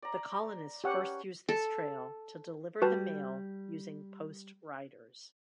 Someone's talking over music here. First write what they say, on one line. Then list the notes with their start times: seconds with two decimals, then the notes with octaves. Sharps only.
The colonists first used this trail to deliver the mail using post riders.
0.02 D5 A#5
0.84 C#4 G4 F#5
1.49 A4
2.82 G3 F#4 B4 A5